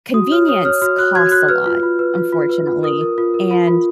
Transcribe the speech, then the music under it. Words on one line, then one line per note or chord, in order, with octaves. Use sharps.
convenience costs a lot, unfortunately, and
F#4 D#6
C#5 F6
C#5 D#6
C#5 F6
F#4 F6
F#4 F#6
F#4 G#6
F#4 F#6
B4 F6
F4
F4
B4
F4
F4
B4
F4
A#4 D#6
A#4
F4
A#4
F4
F4